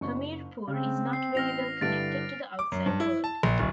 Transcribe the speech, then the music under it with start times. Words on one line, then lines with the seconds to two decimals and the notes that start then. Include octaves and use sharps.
Hamirpur is not very well connected to the outside world.
0.01 F#1 C#6
0.67 C#3 C4
1.13 C7
1.35 A1 F6 A#6 F7
1.81 G2 D3 E4 A6 D7
2.59 D6
2.72 F#2
2.86 G2
3.00 E4
3.24 A5
3.43 A#1
3.59 D1